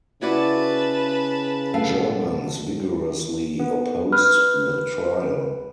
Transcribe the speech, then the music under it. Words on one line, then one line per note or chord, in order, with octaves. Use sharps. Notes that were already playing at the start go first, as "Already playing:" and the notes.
Germans vigorously opposed the trial.
C#3 E4 F#4 B4 D5 A5
B2 A3 F5
B3
B4 F6